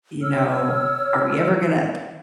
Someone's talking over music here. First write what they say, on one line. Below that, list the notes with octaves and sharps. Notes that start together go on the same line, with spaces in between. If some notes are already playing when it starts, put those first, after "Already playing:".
you know, are we ever gonna"
C#5 E6 F6